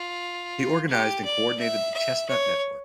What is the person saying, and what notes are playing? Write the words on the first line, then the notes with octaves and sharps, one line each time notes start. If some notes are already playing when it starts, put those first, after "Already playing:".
He organised and coordinated the "Chestnut" network.
Already playing: F4
G4
D5
E5
E5
C#5